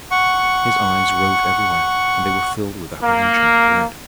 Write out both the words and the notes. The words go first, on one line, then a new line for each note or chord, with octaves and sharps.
His eyes roved everywhere, and they were filled with apprehension and dread.
F#5 C#6
A#3